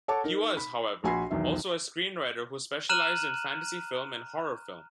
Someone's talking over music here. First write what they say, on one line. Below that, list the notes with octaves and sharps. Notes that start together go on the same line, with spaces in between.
He was, however, also a screenwriter who specialized in fantasy film and horror film.
A4 C#5 F#5 A5 D6
D#4 A#4
B5
A#1 F#4 G#5 B5 C6 C7
B1 E2 D#3 E5
A#5 F6 F#6 D#7 E7 F#7